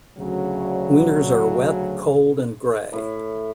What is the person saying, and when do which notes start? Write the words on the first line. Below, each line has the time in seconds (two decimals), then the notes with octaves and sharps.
Winters are wet, cold and grey.
0.18 D2 C#3 F#3
2.93 A2 E4